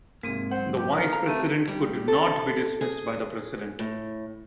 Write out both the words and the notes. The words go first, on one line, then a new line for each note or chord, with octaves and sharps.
The Vice President could not be dismissed by the President.
G#2 C3 G#3 A#3 C4 G#4
F#2 C5 F#5
G4
A#4 B4
E4 A4 F5 A#5
A3 C4 G4
G3
A4
G#4
A2